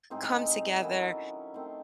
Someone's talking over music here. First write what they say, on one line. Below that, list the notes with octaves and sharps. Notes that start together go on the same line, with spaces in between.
come together,
A2 G#3 C4 D#4
D#3 F#3 C#4 E4
D#3 A3 C4